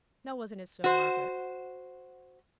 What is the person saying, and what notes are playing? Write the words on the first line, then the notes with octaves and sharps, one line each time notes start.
Now wasn't it so, Margaret?'
F#4 C5